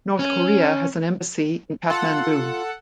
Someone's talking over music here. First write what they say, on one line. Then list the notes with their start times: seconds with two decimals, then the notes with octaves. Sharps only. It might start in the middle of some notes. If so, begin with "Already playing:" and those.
North Korea has an embassy in Kathmandu.
0.19 C#4
1.90 F4 A4 F#5